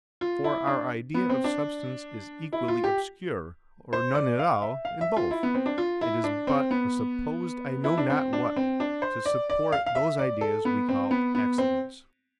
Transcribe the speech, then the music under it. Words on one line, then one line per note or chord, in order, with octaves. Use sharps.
For our idea of substance is equally obscure, or none at all, in both: it is but a supposed I know not what, to support those ideas we call accidents.
F4
E4
D4
B3
C4
D4
E4
F4
G4
C5
D5
F5
E5
F5
E5
F4
E4
B3
C4
D4
F4
E4
D4
C4
B3
E4
D4
C4
D4
C4
D4
C5
D5
D5
F5
F5
E5
D5
A4
B3
C4
B3
B3
C4